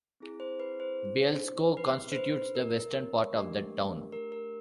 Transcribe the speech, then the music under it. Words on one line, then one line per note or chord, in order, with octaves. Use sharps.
Bielsko constitutes the western part of that town.
C4 E4 G#4
C5
B4
C5
B4
C5
B4
A#4
A3 D4 G4
A#4
A#4